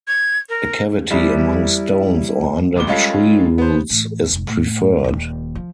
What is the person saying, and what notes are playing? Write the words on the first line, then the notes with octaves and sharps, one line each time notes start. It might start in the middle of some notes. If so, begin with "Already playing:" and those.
A cavity among stones or under tree roots is preferred.
G#6
A#4
G3 E4
D1 A1 D6 G7
G3 G#3 C#4 F4 A4
B3 C5
A2 E3
F1 G#2
A2
D#1 D#2
F3